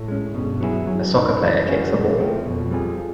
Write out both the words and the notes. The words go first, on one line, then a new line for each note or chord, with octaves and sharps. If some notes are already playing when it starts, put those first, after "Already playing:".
A soccer player kicks a ball.
Already playing: A2
G#3 C#4
G2 B2
F#3 B3 E4 G#4
F#2 F#3
A#3 D#4
E3
G#3 C#4 F#4
F2 A#2
F3 A3 C4
F2 B2
G3 C4 F4 G#4
F3